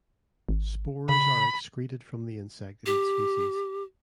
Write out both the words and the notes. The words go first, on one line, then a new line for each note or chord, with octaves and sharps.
Spores are excreted from the insect in its feces.
G#1
C#3 B5
G4